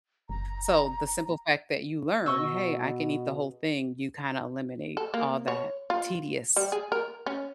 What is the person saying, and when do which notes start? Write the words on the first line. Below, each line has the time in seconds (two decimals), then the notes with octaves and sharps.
So, the simple fact that you learn, hey, I can eat the whole thing, you kinda eliminate all that tedious
0.29 F#1 A#5
2.26 B2 D#5 C#6 E6
4.97 A4
5.14 A#3
5.48 C#5
5.90 F4
6.56 G3
6.72 G#4
6.92 A#4
7.26 C#4